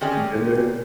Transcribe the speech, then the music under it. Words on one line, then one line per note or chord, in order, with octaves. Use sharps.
you been there?
D#3 C4 C#4 G4 G#4 D5